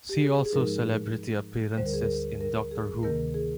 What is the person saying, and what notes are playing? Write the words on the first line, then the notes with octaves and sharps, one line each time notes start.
See also Celebrity appearances in Doctor Who.
G4
G#4
G#4
G#2 F3 G#3 D#4 A#4
D2 D3 G3 C5
A#4
G#4
A#4
A#4
G#4
D2 C3 D#3 A#3 A#4
G#4